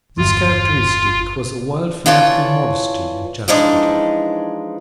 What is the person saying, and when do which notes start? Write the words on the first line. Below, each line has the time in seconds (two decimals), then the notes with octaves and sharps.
This characteristic was a wild fanatical modesty and chastity.
0.18 G1 E2 F4
2.06 E3 F4 A4 C#5 D5
3.48 E3 F3 G#3 D4 D#4